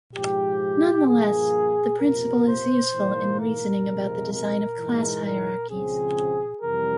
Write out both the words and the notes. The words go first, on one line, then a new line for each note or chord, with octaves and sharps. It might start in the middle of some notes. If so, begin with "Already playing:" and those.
Nonetheless, the principle is useful in reasoning about the design of class hierarchies.
G#2 F3 G#3 G4
G2 F3 A#3 G#4
F2 C3 F3 A#3 A#4
C5
G#2 E3 A#3
A#4
F2 C3 F3 G#3
A#4
G#2 E3 G#3
A#4
C#2 C#3 F3 C4 G#4
F2 C3 E3 G3 A#4